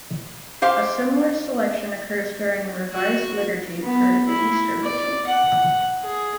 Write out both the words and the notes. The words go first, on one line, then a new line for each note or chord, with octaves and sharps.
A similar selection occurs during the revised liturgy for the Easter Vigil.
G4 C5 F5
F#4
B3
E4
D5
F#5
G#4